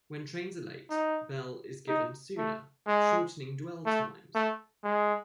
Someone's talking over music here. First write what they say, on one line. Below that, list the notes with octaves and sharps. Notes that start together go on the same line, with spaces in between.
When trains are late, bell is given sooner, shortening dwell times.
D#4
D#4
A3
G#3
A3
A3
G#3